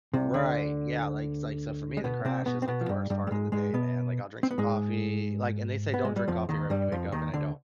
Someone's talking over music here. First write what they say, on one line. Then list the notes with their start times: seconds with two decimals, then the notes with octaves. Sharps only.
Right. Yeah, like, it's like so for me, the crash is, like, the worst part of the day, man, like, I'll drink some coffee, like and they say, "Don't drink coffee right when you wake up." And I don't,
0.14 C2 C3
0.34 D2 D3
1.97 G#3
2.04 B2 B3
2.25 C3 C4
2.46 B2 B3
2.62 C4
2.68 B2 B3
2.81 F3
2.89 G2 G3
3.10 G2 G3
3.27 G3
3.31 G#2 G#3
3.52 G#2 G#3
3.73 B2 B3
4.43 C4
4.51 B3
4.58 G#2 G#3
5.94 B3
6.05 G#3
6.16 G3
6.28 F2 F3
6.49 D#2 D#3
6.70 G2 G3
6.92 F2 F3
7.12 D#2 D#3
7.34 D2 D3